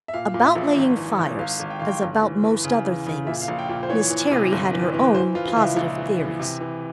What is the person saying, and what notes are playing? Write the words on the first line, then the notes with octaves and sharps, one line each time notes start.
About laying fires, as about most other things, Miss Terry had her own positive theories.
E5
A#2 F5
A#2
E5
A#1
G#1
E3
G#1
G#1 F5
G#1
G5
G#1 F5
G5
G1
E3
E3
C#3
E2
C#3
A#2 E5
F5
A#1
G5
A#2
C5
E3 C#5
E3
C3
G1
E3
E3
E3 C5
E3 F4
F4
C#2 E4
A#1
E3
E3
C3
E3